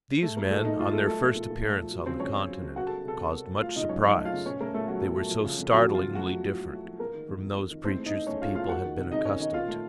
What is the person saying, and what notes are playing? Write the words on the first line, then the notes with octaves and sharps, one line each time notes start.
These men, on their first appearance on the Continent, caused much surprise, they were so startlingly different from those preachers the people had been accustomed to.
A3 A4
F#3 A#3 A#4
A#2 A3 A4
A#2 D#4
A3 F4
F#3 A3 A4
A3 A4
F3
A#2
A#2
A3
F3
F#3
C#3 C4 C5
F2 C#4 C#5
F2
F#3
C#3
A#3 F#4 F#5
A4 A5
F#3
C3 A4 A5
C3
A#3
F#3
A3 F4 F5
C#3 D#4 D#5
F#2 C#4 C#5
F#2 D#4 D#5
A3
F4 F5
C#3
A#2 C#4 C#5
A3 A#3 A#4
A#2 A3 A4
F#3 A3 F#4
A#2
A3
F3
C#3
F2
F2 F#3 F#4
F3
F4
C#3
F#3 A3 F#4
F3
A2
A2
A3
F3
A#3 A#4
D#3
F2
F2
A#3
D#3
A2 C4 C5
A3
D#4 D#5
A2
A3 C#4 C#5
A2 F4 F5
A3 F4 F5
A#3 F#4 F#5
D#3
C3
C3 D#4 D#5
A#3 C#4 C#5
D#3 D#4 D#5
A#2 F4 F5
A3